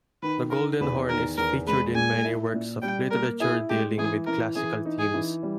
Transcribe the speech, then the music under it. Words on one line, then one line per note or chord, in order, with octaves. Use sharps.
The Golden Horn is featured in many works of literature dealing with classical themes.
D#3 B4
D#3 A#4
E2 B4
D#3 A#4
E2 A#4
G#3 B4
A#2 G#5
E4
A#2
G3 G5
A#3 A#4
E4 G#4
G#3 G4
E3 G#4
E3 A#4
E3 G#4
D#4
G#4
E3
G3